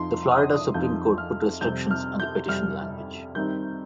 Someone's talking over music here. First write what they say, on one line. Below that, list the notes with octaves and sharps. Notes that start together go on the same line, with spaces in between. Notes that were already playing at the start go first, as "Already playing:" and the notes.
The Florida Supreme Court put restrictions on the petition language.
Already playing: F2 F3 D#4 C6
C6
D#6
F2 F3 D#4 G6
F6
F2 C3 G3 C4 G6
F6
G6
F2 C3 G3 C4 F6
D#3 G3 C4 D#4 G6